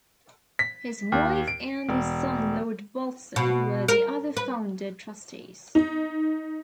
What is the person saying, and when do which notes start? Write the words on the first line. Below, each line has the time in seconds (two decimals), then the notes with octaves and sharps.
His wife and his son Lord Wolfson, were the other Founder Trustees.
0.59 B6
1.12 D#2
1.48 D7
1.89 E1
3.36 B2
3.88 A#4
4.37 B4
5.75 D#4